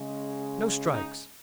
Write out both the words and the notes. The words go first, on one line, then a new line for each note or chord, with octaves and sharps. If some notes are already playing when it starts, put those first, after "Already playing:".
No strikes!
Already playing: C#3 G#3
D#4